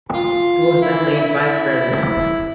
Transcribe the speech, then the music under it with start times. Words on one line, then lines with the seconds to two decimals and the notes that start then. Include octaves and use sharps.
He was then made vice president.
0.14 F4
0.81 E4
1.14 E4
1.81 E4